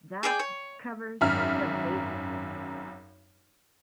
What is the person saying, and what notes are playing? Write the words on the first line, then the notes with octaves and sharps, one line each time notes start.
That covers the basics.
G#4 D5 E5 G5
C#5
G#1 F#2 E5 A#5 F6